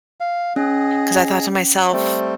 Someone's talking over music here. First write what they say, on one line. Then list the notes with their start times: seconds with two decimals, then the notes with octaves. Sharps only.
'cause I thought to myself,
0.20 F5
0.56 C#4 G#4 D#5
1.93 G3 A3 C4